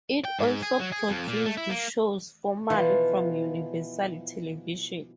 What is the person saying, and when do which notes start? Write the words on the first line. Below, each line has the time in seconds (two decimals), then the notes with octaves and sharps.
It also produced shows formerly from Universal Television.
0.25 G5
0.39 G#2
0.62 G#4
0.80 F#3
0.92 G#4
1.09 F2
1.28 A#2
1.46 A3
1.57 E4
1.70 A#3
2.70 B2 E3 F3 F4